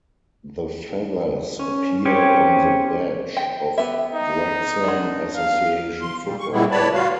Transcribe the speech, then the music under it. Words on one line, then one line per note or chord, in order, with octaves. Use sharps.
The feathers appear on the badge of Wrexham Association Football Club.
C#4
C4 C#4 G4 C#5
G5
B3 G4 E5
D#4
F#3 D4
F5
C6
A#2 G3
C#6
A#2 G3 G#3 B3 C4 E4
B4 C#5 D5 A5 B5
F4 F#4 F5